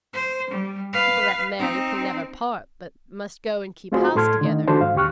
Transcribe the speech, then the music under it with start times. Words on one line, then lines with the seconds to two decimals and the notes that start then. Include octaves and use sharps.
People that marry can never part, but must go and keep house together.
0.14 C5
0.50 G3
0.93 B4 F5
1.59 C4 D#4
3.92 A3 C4 F4 F#4 G#4 C5
4.15 A2 A4 C6 F6 G#6
4.41 D3 D#3 A3 D#4
4.67 D#3 F3 D4 F#4 A4 C5
4.81 G#2 F5
4.95 D#2 D3 G4 C#6 F6 F#6